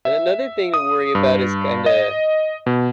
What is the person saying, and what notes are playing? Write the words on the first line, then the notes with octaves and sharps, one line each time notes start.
And another thing to worry about is, kinda,
E5
D#6
G2
D#5
B2